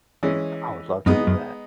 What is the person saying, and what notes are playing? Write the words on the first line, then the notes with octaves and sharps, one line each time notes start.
I would love to do that.
E3 G#3 C#4
F#2 G#3 B3 D#4
F#2